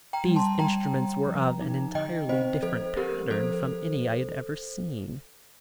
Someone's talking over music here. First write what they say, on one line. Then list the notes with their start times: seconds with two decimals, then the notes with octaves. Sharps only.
These instruments were of an entirely different pattern from any I had ever seen.
0.13 G5 A#5
0.25 G3
0.36 A5 C6
0.59 G3 G5 A#5
0.94 G3
1.27 F3
1.61 D#4
1.95 D3 D#5 G5
2.29 C4 C5 D#5
2.63 F3 A4 C5
2.97 C4 G4 A#4
3.31 F3 A4 C5